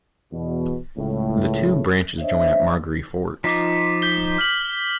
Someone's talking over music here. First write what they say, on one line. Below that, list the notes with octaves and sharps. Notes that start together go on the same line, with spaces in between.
The two branches join at Margaree Forks.
E2 B2
C#2 A2
D4 C5 C#5 D#5 E5
F3 D#4 F4 D6 B6
G6 B6 G7
F6 F#7